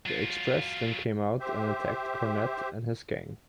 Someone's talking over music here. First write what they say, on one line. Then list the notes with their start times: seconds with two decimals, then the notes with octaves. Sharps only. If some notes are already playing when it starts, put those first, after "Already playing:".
The Express then came out and attacked Cornette and his gang.
0.06 F#3 F4
1.40 G4 C5 E5